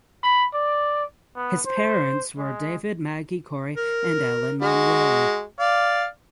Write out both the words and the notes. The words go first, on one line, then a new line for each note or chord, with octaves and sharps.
His parents were David Magie Cory and Ellen Monroe.
B5
D5
B3
C5
G#3
A#4
G#3 F#4
D5 F5